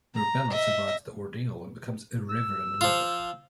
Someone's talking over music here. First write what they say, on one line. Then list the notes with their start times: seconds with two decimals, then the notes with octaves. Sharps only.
Murbella survives the ordeal and becomes a Reverend Mother.
0.15 A#5
0.50 D#5 E5
2.30 E6
2.81 F3 F4